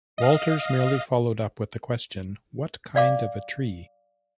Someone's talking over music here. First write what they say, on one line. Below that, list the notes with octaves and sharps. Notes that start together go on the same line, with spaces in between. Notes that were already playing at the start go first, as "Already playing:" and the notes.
Walters merely followed up with the question, What kind of a tree?
D#5 F5
D5 F5 D6